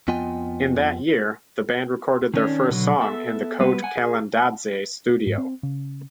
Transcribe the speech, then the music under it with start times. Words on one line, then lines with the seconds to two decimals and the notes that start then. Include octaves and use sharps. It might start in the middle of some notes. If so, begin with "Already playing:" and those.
In that year, the band recorded their first song in the kote kalandadze studio.
0.08 F2 B3 F4 D#5 G5 G#5
2.34 D#3 C#4 D4
2.70 B2 D3 F#3
3.01 B3 A4 E5
3.60 G3 B3 B4
3.83 F#5 G#5
3.96 G#4
5.27 G#2
5.38 C4
5.63 C#3